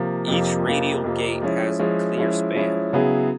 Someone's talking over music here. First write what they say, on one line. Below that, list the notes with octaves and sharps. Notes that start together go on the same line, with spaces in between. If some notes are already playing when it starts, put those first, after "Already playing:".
Each radial gate has a clear span.
Already playing: C3 F3 A#3
F2 C3 F3 A#3
F2 C3 F3 A#3
F2 C3 F3 A#3
F3 G#3 C#4 E4
F3 G#3 C#4 E4
F3 G#3 C#4 E4
F3 G#3 C#4 E4
C#3 F#3 B3 E4 G#4